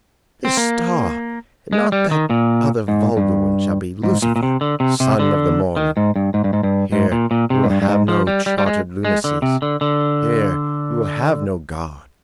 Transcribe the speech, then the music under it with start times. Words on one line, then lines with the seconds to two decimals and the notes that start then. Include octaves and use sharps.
This star and not that other vulgar one shall be 'Lucifer, sun of the morning.' Here we will have no chartered lunacies, here we will have no gods.
0.45 C4
0.57 A#3
1.73 G#3
1.92 G3
2.11 D#3
2.30 A#2
2.88 G#2
3.17 G2
4.03 G#2
4.22 A#2
4.36 A#2
4.43 C3
4.61 D3
4.80 C3
5.00 C3
5.19 D3
5.76 D#3
5.97 G#2
6.16 G2
6.34 G#2
6.44 G2
6.53 G#2
6.63 G2
6.92 G#2
7.12 A#2
7.31 A#2
7.50 C3
7.64 G#2
7.70 G2
7.82 G2
7.89 G#2
8.08 F3
8.27 G3
8.46 G3
8.58 G3
8.66 G#3
9.05 G#3
9.24 D3
9.42 C3
9.62 D3
9.81 D3